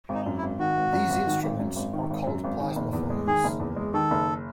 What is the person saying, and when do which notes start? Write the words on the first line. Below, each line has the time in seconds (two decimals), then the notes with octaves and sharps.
These instruments are called plasmaphones.
0.09 G#1
0.15 D#4
0.26 F#2
0.38 E4
0.42 G#1
0.59 D#3 F#4
0.76 G#1
0.93 F#2
1.09 G#1
1.27 D#3
1.43 G#1
1.60 F#2
1.76 G#1
1.93 D#3
2.10 G#1
2.27 F#2
2.44 G#1
2.61 D#3
2.76 F#1
2.93 E2
3.10 G#3
3.27 D#3 G#4
3.44 F#1
3.60 E2
3.77 G#3
3.94 D#3 A4
4.11 F#1